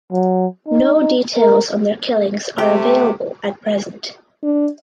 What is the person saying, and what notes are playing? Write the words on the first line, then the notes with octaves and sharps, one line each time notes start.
No details on their killings are available at present.
F#3
D#4
A#4
C3 A3 G4
D4